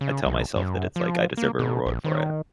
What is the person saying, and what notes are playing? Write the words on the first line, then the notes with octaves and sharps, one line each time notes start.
I tell myself that it's like, "I deserve a reward for it."
C#3
C2
F#2
F3
A#3
B2
A#1
D#3